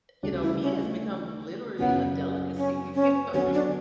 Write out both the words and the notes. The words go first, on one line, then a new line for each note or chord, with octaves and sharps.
you know, meat has become, literally, a delicacy, you know?
D2 C#3 G3 D4 F#4
E4
C#4
A3
F#2 C#3 F#3 B3 C#4
C#4
C#4
D3 F#3 B3 C#4 F#4 C#5
D4